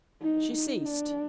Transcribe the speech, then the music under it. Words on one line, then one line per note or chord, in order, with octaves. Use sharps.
She ceased.
D#4
D#4
D4